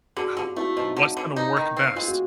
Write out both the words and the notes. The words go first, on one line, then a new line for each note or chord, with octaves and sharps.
How what's gonna work best?
D3 F#4 G#4
D3 F4 G4
A3 E4 F#4
F3 D#4 F4
D3
D3
D#4
D#3
C4
G#3 F4
F#4